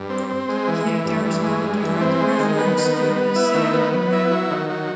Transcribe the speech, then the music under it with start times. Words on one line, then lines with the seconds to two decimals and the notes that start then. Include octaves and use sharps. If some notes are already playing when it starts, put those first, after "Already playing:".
Here there is no direct reference to samharam.
Already playing: G2
0.10 C4
0.29 C4
0.49 G#3
0.68 E3
0.86 E3
1.05 G2
1.25 E3
1.43 G#3
1.63 G2
1.82 E3
2.01 C4
2.20 G#3
2.39 D#3
2.58 B3
2.78 D#3
2.97 B3
3.16 B3
3.36 E4
3.54 D#3
3.73 B3
3.93 B3
4.13 E4
4.31 F#3
4.50 D#3
4.69 F#3